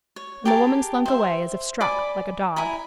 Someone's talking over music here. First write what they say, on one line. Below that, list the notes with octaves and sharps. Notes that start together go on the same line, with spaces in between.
And the woman slunk away as if struck, like a dog.
C#5
G4 G#4 A#4 A5
C5 E5
D5 G#5 B5 D6
E4 G#5 A#5 B5